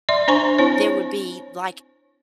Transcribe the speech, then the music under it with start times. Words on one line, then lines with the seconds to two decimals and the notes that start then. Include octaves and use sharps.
there would be, like,
0.09 D5 E5 C6
0.28 D4 C5 G#5 A#5 C#6
0.58 C4 E4 C5 C#5